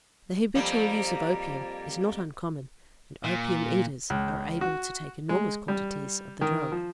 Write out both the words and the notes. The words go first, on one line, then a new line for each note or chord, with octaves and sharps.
The habitual use of opium is not uncommon, and opium-eaters are able to take enormous quantities of the drug.
F2 G3 A#3
A#2
C#2
F#4
G#3
G3
D#3
F3